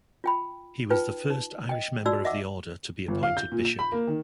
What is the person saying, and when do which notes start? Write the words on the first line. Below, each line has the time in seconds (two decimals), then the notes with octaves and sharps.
He was the first Irish member of the order to be appointed Bishop.
0.24 F4 G5 B5
0.90 D#4 F4 B4 G5
1.30 D#4
1.69 D#5 G5
2.06 D#4 F4 F#4 D5 E6
2.25 D#5 E5 F#5 D6 E6
3.08 G1
3.23 F5
3.37 G6
3.52 A#2
3.65 E7
3.79 B5
3.92 A#3
4.07 D#3